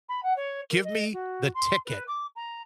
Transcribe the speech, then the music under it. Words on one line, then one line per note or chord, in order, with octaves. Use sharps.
give me the ticket,
B5
F#5
C#5
A#4
D#5
F#4
C6
B4
D6
A#5